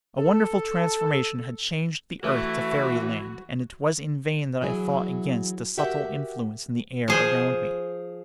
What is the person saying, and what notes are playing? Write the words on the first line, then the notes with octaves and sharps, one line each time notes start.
A wonderful transformation had changed the earth to fairy land, and it was in vain that I fought against the subtle influence in the air around me.
A4
E3 A3 F#4 E5
E3 F#3 E4 G#4
F#4 G4 A#4 E5 F#5 G5
F3 G#4 C5